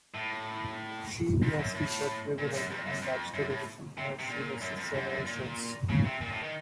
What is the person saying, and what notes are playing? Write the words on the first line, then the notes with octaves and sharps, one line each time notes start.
She was featured regularly on Dutch television where she hosted several shows.
A2
F2
F#2
A2
A#2
F#2
F2
F#2
F2
F#2
A2
C3
C3
A#2
F#2
F2
F#2
F#2
A#2
C#3
C3
A#2
A2
D#3